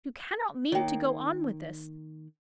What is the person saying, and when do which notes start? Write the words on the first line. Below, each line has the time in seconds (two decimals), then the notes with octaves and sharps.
You cannot mean to go on with this.
0.72 D#3 A#3 C#5 G5